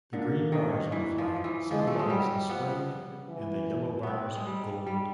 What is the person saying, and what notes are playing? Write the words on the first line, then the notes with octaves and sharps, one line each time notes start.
The green bars in the flag symbolize the spring and the yellow bars gold.
D3 A#3
D#3
E3
F3
E3
F3 G#3
A3
G#3
F#3 G3
F3 B3
E3
B3 C4
G#3
G3
G3